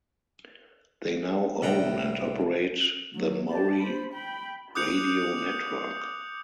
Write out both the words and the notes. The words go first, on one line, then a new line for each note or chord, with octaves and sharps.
They now own and operate the Murri radio network.
C2 A2 F#5 G5 A#5
F#3
G4 A5
C5 B5
G5 B5
D6 D#6 F#6 G6 C#7 F7